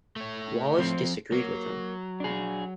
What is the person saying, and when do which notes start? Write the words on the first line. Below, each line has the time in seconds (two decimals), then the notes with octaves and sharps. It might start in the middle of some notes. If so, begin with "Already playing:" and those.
Wallace disagreed with him.
0.16 A3 C#5
0.78 F3 C4
1.32 F#3 A#3
2.20 D4 G#4